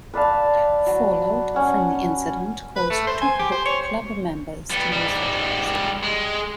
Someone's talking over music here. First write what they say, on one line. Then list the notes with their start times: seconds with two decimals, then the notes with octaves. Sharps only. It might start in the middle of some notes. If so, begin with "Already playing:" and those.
Fallout from the incident caused two book club members to lose their jobs.
0.14 B4 D5 F5 A5
0.86 F#3
1.55 C#4 F#5
2.76 B4
2.90 A3
3.07 C5
3.22 G#5
3.40 G4
3.52 C5
3.66 C#5
4.70 G3 B3
4.92 G#2 G3
6.03 G#3